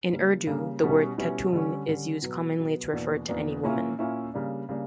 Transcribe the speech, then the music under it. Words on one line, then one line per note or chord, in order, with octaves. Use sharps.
In Urdu, the word "khatun" is used commonly to refer to any woman.
C#3 G3 A#3
C#3 G3 A#3
B2 G3 C#4 E4
B2 G3 C#4 E4
D3 G3 C#4
D3 G3 C#4
B2 F#3 B3
B2 F#3 B3
E2 B2 A#3 D4
E2 B2 A#3 D4
A#2 A#3 C#4 E4
A#2 A#3 C#4 E4
C#3 G3 A#3 D4
C#3 G3 A#3 D4